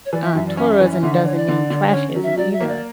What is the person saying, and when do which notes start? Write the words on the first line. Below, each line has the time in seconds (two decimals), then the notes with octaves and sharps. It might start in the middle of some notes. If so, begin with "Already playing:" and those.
uh, tourism doesn't mean "trashism" either.
0.05 C#5
0.13 E3 D5
0.24 E5
0.35 F#2 E5
0.47 D5
0.57 C#4 E5
0.70 E5
0.80 E3 D5
0.91 E5
1.03 D3 E5
1.14 D5
1.25 D4 C#5
1.36 D5
1.48 D3
1.70 D3
1.87 D5
1.92 C#4 C#5
2.16 F#3
2.23 E5
2.37 F#3 D5
2.53 E5
2.60 A#3
2.68 D5